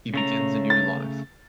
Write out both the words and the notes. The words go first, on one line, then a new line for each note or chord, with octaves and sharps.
He begins a new life.
C#3 A3 C#4 A#5
A6